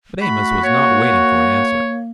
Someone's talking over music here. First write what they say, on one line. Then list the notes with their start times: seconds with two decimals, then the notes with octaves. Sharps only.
But Amos was not waiting for an answer.
0.22 A3 F#4 B5
0.63 A#3 C#5